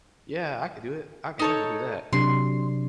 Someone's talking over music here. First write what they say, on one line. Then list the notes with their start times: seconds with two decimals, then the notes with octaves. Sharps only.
"Yeah, I could do it, I can definitely do that."
1.39 D#4 A4 C#5
2.13 C3 F#3 D4 C6